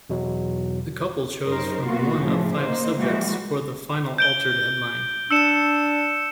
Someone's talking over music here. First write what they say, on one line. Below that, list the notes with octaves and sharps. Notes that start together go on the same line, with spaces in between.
The couple chose from one of five subjects for the final altered headline.
E2 B2 F#3
F#2 C#4 D#4 A#4 C5
B2 A#3 B3 F4 F#4
A2 C#3 E3 F3
A#3 D#4 C5
E3 F3 G3 G#3 A#3 F#4
G6 D7 G7
D4 E6 C#7 E7